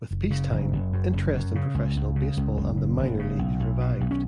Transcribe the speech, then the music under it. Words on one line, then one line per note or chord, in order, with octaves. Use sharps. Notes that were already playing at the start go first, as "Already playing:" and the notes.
With peacetime, interest in professional baseball and the minor leagues revived.
F#1
C#3
F#1
F#1
F#2
F#1
F#2
C#3
C#2
C#2
C#3
C#2
F#1
C#3
F#1
C#3
B1
B1
B2
B1
C#4